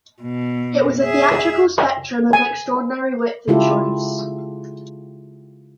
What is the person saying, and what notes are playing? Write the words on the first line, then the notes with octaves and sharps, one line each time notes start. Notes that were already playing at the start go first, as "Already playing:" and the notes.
It was a theatrical spectrum of extraordinary width and choice.
B2
G#4 E5
G#5
C#3 G#3 E4 F4 G4 A4